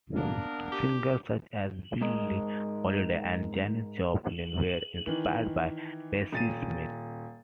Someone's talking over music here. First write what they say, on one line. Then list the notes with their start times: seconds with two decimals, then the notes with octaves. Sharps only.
Singers such as Billie Holiday and Janis Joplin were inspired by Bessie Smith.
0.16 A#3 B3 D4 A#4
0.72 G4
2.01 G#2 G#3 A#4 D#5
5.06 D#3 E3
6.32 D#1 A6 D#7